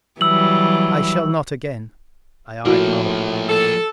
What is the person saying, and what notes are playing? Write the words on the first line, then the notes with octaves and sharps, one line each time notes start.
"I shall not again." I eyed Moa.
E3 F#3 G3 E6 F#7
A2 F3 A#3 E4 F#4
A4